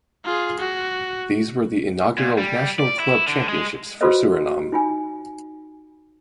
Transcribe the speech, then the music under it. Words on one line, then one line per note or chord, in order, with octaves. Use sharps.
These were the inaugural National Club Championships for Suriname.
F4 G#4
F#4
A#2
G3
D5
E4
D3
G#3
F4 F#4 A4 B4 C5 D#5
D#4 F4 G#5